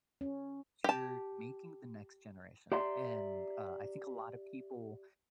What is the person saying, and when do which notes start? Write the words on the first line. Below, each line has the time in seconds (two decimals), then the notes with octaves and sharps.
you're making the next generation, and, uh, I think a lotta people,
0.21 C#4
0.84 G4 A5
2.72 G4 D5 E5 A#5 C6